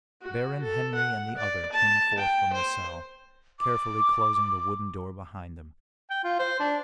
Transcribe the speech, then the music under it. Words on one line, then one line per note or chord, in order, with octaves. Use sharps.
Baron Henry and the other came forth from the cell, carefully closing the wooden door behind them.
F#4
A4
F#5
D5
A5
G5
C5
D6
G5
F4
C5
D4